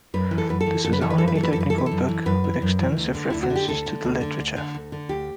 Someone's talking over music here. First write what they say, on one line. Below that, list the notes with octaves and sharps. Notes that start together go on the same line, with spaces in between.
This is a highly technical book, with extensive references to the literature.
F#2 B4
E3
A4
F#2 B4
A4
E3
F#2 A4
B4
E3 A4
B4
F#2 A4
B4
A4
E3
B4
A4
F#2 B4
E3 A4
B4
A4
F#2
E3
F#2 B4
E3
F#2
E3
D2
D3
D2 E4
F#4
D3
G4
D2 A4
D3
D2
D3
D2
D3
D2
D3
D2 G4